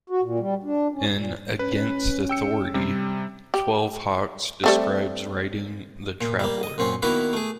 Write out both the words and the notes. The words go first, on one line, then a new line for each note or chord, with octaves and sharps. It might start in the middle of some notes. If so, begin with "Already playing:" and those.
In "Against Authority", Twelve Hawks describes writing "The Traveler".
F#4
A#2
G3
D4
C#4
A#2
C#4 B4
G5 E6 C#7
C3 G3
G4
G3 A3 C4
A#2
G3 A#3
D#5
F#2 A#2 C4 C#4
D#3 A#3 B3 E4 F#4 A#4
A3 G#4